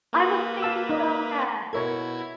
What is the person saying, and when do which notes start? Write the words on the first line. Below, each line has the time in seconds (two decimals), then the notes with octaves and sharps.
I was thinking about that.
0.13 A#3 B4
0.62 F5 A5 E6
0.89 D#4 D5 D#5
1.73 B2 E4 A4 A#4 C#5 G#6